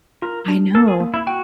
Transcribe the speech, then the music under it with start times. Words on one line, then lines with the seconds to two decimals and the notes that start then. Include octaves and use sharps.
I know.
0.22 F4 A#4
0.48 D4
0.75 A4 A#4
0.88 G#4
1.00 A#3
1.14 E4
1.27 F#4 G5